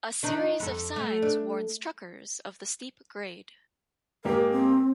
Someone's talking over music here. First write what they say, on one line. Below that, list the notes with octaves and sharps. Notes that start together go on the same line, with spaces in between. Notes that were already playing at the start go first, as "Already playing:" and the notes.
A series of signs warns truckers of the steep grade.
D#3 D4 D#4
F2 A4
A3
D4
G#2 A#3 G4 A#4
C4